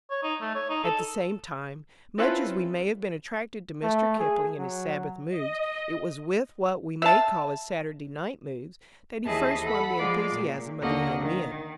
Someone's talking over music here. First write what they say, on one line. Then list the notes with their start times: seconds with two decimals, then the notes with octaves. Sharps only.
At the same time, much as we may have been attracted to Mr. Kipling in his Sabbath moods, it was with what we may call his Saturday night moods that he first won the enthusiasm of the young men.
0.11 C#5
0.23 D#4
0.41 A3
0.55 C#5
0.69 D#4
0.84 A4
2.18 C4 C#4 E4 F4 A4 B4
3.83 A3
4.19 G#4
4.59 F#3
5.29 D#5
7.02 E5 F5 A5
9.26 D#2 E3 G#4 D#5 E5 A5
9.64 A4 F#5 B5
9.99 F3 G#3 F4 D5
10.33 A#2
10.81 D#2 D3 A#3 F#4 D#5
11.20 D#3